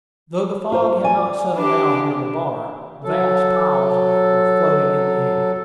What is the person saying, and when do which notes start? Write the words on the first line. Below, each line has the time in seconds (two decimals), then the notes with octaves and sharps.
Though the fog had not settled down near the bar, vast piles of it were floating in the air.
0.72 F4 C5
1.03 D5 G#5
1.56 D4 G4
3.04 F#3 A4